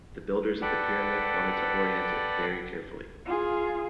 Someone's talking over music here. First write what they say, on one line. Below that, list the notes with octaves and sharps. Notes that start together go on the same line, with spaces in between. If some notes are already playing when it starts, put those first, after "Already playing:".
The builders of the Pyramid wanted to orient it very carefully.
A4 B4 D5 F#5 G5
F4 G#4